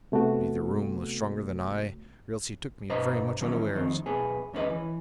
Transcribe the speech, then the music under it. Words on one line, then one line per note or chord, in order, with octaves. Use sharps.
But either Rooum was stronger than I, or else he took me very much unawares.
C3 A3 B3 F#4
G2 B2 B4 C5 D#5 A#5
D#3 E3 F#3 C#4
F2 D#3 C4
B1 B3 G#4
E2 C#4 D4 B4 D#5
E3